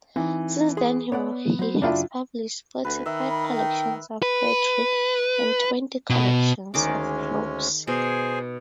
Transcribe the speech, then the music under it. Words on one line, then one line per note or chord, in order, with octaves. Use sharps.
Since then he has published forty-five collections of poetry and twenty collections of prose.
E3 C4 D#4
G#4 C6
B3 C#5 D5 F#5
F#3 C5
F#2 C#3 D4 E4 F4 G5
D2 B4
D#3 E5
B5
G5
B4
B2
D2 D#3 G#3 C#4 G#4 D6
B2 G#4 C5 G#5